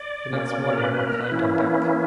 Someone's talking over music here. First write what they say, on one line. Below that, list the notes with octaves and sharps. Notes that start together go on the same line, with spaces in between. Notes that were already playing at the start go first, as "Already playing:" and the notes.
The next morning I climbed on deck.
Already playing: D5
B2 A#3 C#4
A#4
B4
B4
A#4
B4
E3 A#3 C#4 E4